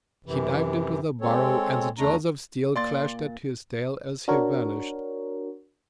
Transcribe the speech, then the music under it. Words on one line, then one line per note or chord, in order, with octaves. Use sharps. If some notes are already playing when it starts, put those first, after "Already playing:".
He dived into the burrow, and jaws of steel clashed at his tail as he vanished.
F#2 C3 E3
G#3 C4 A4 C#5
E2 A3 D4 A#5
A#2 D5 C6 A6
D4 F#4 A#4 C#5